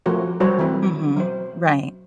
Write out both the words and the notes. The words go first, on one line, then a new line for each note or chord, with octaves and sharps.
Mhm, right.
F3 A3 F#4 A#4 C#5
F#3 G3 F#4 C5 C#5
E3 F#3 A3 C4 F#4 B4
F#3 C5